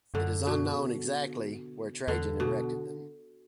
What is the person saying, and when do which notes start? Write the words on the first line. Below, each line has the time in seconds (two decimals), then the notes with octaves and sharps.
It is unknown exactly where Trajan erected them.
0.14 F#2 D3
0.47 B2
2.08 E2 D3
2.40 B2